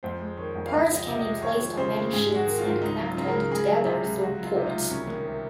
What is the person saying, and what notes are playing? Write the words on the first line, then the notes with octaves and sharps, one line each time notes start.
Parts can be placed on many sheets and connected together through ports.
F2 C5
G#3
D#3 C#5
F2
F5
C#2 D#5
F3
D#5
C3
D#5
G#3
D#2 C#5
F3
C#3 C5
G#3
G#2 G#4
G#3
F#4
D#3
G#2 F4
C#2 D#4
F#3
F4
C#3
A#4
C#2
C#2 G#4
F#3
C3
C#2
C#2 F#4
F#3
F4
C3
D#4
F4
C#2
C2 C#4
D#3
C3